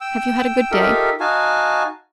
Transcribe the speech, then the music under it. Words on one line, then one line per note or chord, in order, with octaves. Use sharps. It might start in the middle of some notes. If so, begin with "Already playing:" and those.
"Have you had a good day?"
G5 E6
D#4 F4 G4 A4 A#4 E5
D#4 F#4 F5 G#5 A5